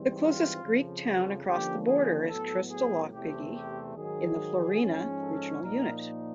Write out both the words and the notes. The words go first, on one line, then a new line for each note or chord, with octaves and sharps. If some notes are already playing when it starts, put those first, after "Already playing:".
The closest Greek town across the border is Krystallopigi in the Florina regional unit.
Already playing: G#2 E3 G3 C4
F4
F2 C#3 F3
F#4
D3 F3 A#3 C#4 G4
G#4
A2 F#3 B3 A4
G#4
E2 C3 E3 A3 C4 G4
G4
G#2 D#3 F#3 G#4
G#2 F3 G#3 C#4
A4
A#2 F3 A#3 D#4 A#4